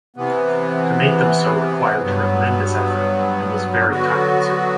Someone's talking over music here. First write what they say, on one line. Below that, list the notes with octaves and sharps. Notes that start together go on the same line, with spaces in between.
To make them so required tremendous effort - and was very time consuming.
C3 E3 B3
G2 F#3 B3
D3 F#3 B3 F#4